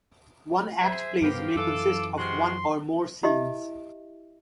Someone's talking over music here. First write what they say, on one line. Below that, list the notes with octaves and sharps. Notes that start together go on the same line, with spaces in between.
One-act plays may consist of one or more scenes.
G#4 C5 E5
G2 F3 A#3 B3 G4
F#2 E3 F4 A4 D6
C3 G#3 F#4 C6
E4 G4 D#5 E5